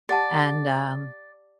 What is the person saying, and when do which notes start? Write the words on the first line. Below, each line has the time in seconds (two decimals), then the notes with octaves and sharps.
and, um,
0.09 G4 D5 F#5 A5